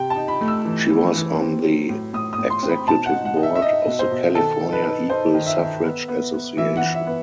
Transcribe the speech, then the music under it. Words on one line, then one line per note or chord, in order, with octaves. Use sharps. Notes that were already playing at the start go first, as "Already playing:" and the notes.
She was on the executive board of the California Equal Suffrage Association.
Already playing: C3 G5
A5
D#4
B5
A3
E6
E3
E3
E3
C4
F#3
A2
A2 D#6
D#6
A2
C6
C4
B5
B2 A5
F#5
D#4
F#5
D#4
E5
E5
D#4 D#5
B2
C5
B2
D#3 A4
D#4
B4
D#4
D#4 C5
D#3
E5
D#3
B3
B3
B3
E3 E5
F#5
E3
E5
B3